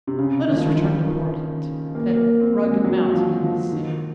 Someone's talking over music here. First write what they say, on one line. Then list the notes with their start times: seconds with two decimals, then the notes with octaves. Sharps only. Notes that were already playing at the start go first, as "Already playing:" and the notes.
Let us return to Portland--that rugged mountain in the sea.
0.07 C3
0.18 C#3
0.48 D#3
0.57 F3
0.66 D#3
0.77 F3
1.07 D#3
1.95 A#3
2.17 A#3
2.40 C4
2.62 G#3
2.84 F#3
3.14 F3
3.43 F3
3.72 D#3